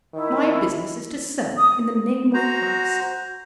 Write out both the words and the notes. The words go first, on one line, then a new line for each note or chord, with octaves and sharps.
My business is to sell in the name of Christ.
D#3 E4
D#6
F#4 C5 A#5